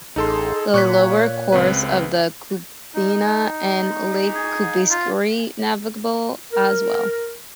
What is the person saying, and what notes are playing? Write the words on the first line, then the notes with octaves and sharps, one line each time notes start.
The lower course of the Kubena and Lake Kubenskoyeare navigable as well.
A1 D#4 G#4 A4 C6
A#2 C#5 C#6 F#6 B6
C#2 C4 B4
D#4
G#4
F4
A#4